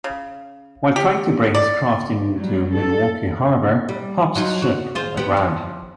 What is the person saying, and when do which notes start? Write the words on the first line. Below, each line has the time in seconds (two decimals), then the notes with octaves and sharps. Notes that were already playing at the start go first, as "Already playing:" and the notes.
While trying to bring his craft into Milwaukee harbor, Pabst's ship ran aground.
0.04 C#3
0.96 G4
1.55 D5
2.36 F#3 G3
2.74 A4
3.89 G3
4.35 F#3 D#4 F4
4.62 F#4
4.95 F4 G#4 C5
5.17 B3 G4
5.37 F3